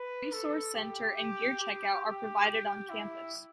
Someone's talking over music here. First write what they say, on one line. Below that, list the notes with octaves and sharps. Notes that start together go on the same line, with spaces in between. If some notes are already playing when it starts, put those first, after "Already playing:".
A resource center and gear checkout are provided on campus.
Already playing: B4
A4
G4
G4
G4
G4
E4